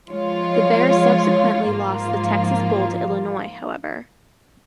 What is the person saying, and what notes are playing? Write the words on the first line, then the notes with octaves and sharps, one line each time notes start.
The Bears subsequently lost the Texas Bowl to Illinois, however.
F3 G#3 F4 C#5
G#2 F3 A#3 F4